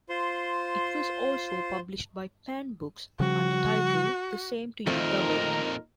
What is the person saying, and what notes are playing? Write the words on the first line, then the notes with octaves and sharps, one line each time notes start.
It was also published by Pan Books under title The Same To You Doubled.
F4 C5 C6
C#3 F3 G3 F#4
F2 A#2 D#3 A3 C4 D#4 F4 A#4